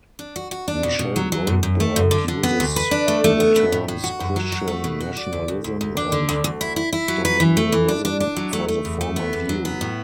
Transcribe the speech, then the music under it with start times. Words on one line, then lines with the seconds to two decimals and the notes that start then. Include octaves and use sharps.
Michelle Goldberg uses the terms "Christian Nationalism" and "Dominionism" for the former view.
0.19 D4
0.36 F#4
0.51 F#4
0.68 D4
0.83 B2
0.99 B2
1.16 F#3
1.32 F#3
1.47 F#2
1.63 F#2
1.80 A3
1.96 F#2
2.11 D3
2.28 D3
2.43 B3
2.60 D2
2.76 B4
2.91 D4
3.08 A3
3.24 A3
3.40 B3
3.56 B3
3.72 A2
3.88 A2
4.04 F#4
4.20 F#2
4.36 F#3
4.52 F#4
4.68 A3
4.84 B2
5.01 F#4
5.17 D5
5.33 D2
5.48 D2
5.64 D2
5.81 D2
5.97 D4
6.12 D3
6.29 D2
6.44 D2
6.61 E4
6.76 E4
6.93 E4
7.08 F#3
7.25 B4
7.40 E3
7.57 A3
7.72 E3
7.89 D4
8.05 D4
8.20 D4
8.36 F#3
8.53 A3
8.68 A3
8.85 E2
9.01 A3
9.16 B3
9.33 E2
9.49 F#3
9.65 B3
9.81 A2